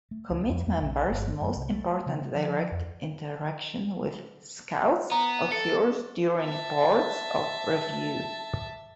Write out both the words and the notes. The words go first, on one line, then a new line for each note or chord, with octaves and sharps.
Committee members most important direct interaction with Scouts occurs during boards of review.
A3
C#2
F2
E2
A#1
G1
F#2
C2
A3
C#3
F3
F2
B3 A#5
A4 C#7
E5 A5